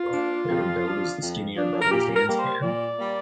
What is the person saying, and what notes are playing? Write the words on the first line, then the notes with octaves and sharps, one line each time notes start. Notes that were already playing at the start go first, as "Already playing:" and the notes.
They were billed as the Skinner Brothers dance band.
Already playing: F4
A#3 D4
F2
F3 D4
F2
F3 D4
A#4
A#2 G4
A#4
G3 A#3
C5
A#2 D5
G3 A#3